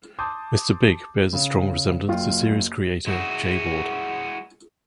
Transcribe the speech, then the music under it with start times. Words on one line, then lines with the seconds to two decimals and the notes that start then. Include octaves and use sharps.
Mr. Big bears a strong resemblance to series creator Jay Ward.
0.19 A5 C6 D6 D#6 G6
1.33 C#3
2.08 F#1 F4 G5
3.06 G#3 E4 F#4 G#4